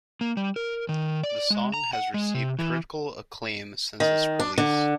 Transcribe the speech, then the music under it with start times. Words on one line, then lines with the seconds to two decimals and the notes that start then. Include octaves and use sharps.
The song has received critical acclaim since its release.
0.21 A#3
0.37 G3
0.56 A#4
0.89 D#3
1.24 D5
1.50 G#3
1.74 A#5
1.93 F#5
2.14 G#3
2.34 C3
2.59 E3
4.00 D#3
4.40 D4
4.58 D3